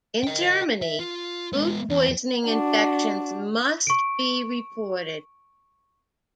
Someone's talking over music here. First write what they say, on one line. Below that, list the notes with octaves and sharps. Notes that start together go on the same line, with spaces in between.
In Germany, food poisoning infections must be reported.
D#5 G5
E5
F4
G#3 B3
E2
D4 F#4
C#6 D7